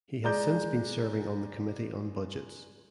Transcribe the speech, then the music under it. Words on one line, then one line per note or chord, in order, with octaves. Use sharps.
He has since been serving on the Committee on Budgets.
G#3 D5 A#5 G6